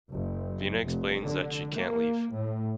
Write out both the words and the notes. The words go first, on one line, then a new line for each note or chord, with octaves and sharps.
Vina explains that she can't leave.
F#1
F1
D3
A#3
A2